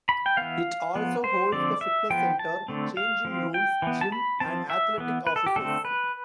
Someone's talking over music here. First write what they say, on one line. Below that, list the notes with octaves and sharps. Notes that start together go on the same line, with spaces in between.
It also holds the fitness center, changing rooms, gym, and athletic offices.
B5
G5
E3 B3 F5
F3 B3
C5
D3 F3 C4 D5
E5
F3 B3 G5
A5
D3 A3 C4
F5
F3 C4
G5
E3 B3
A5
B5
F3 C4 A5
E5
E3 B3
B4
A4
G4
D3 A3 C4 A4
B4